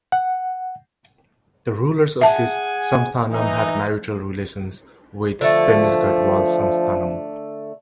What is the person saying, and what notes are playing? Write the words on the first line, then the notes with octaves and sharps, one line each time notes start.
The rulers of this Samsthanam had marital relations with famous Gadwal Samsthanam.
F#5
G#4 E5 F#5 G#5 A5
E3 D#4
D3 F3 A3